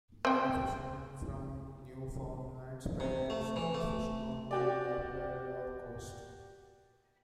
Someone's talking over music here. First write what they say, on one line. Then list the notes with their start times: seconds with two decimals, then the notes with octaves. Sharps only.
Many fisherman from Newfoundland spent their summers fishing on the Labrador coast.
0.25 C4 G5
3.00 C3
3.30 A3
3.56 E3
3.74 A3
4.51 F#4 G4 D5